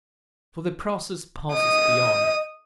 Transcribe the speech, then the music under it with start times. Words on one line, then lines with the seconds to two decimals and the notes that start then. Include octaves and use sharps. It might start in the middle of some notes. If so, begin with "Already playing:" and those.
For the process passes beyond.
1.54 D#5 D#6